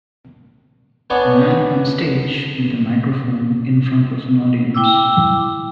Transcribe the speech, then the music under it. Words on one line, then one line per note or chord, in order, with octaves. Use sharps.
A man on stage with a microphone in front of an audience.
B3 D4 C#5 F#5 G#5
E4 G5 D6 E6